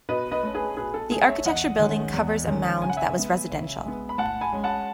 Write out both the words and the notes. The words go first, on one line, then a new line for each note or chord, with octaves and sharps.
The Architecture Building covers a mound that was residential.
B2 B4 D#5
B4 D#5
A3 C#4
G#4 B4
B2 G#4 B4
A4
A3 C#4 G#4
C#5 E5
E2 D#5 F#5
D#3 G#3 C#4
E2
D#3 G#3 C#4
C#3 G#5
F#5
E5 G#5
G#3 B3
C#3
G#3 B3
B5
A2 F#5 A5
G#5 B5
G#3 C#4
F#5 A5